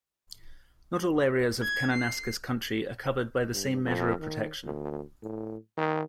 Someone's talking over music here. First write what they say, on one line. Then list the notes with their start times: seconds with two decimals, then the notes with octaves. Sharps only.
Not all areas of Kananaskis Country are covered by the same measure of protection.
1.62 G#6
1.93 C7
3.52 G2
3.84 F2
4.20 D#3
4.65 D2
5.22 A2
5.78 D#3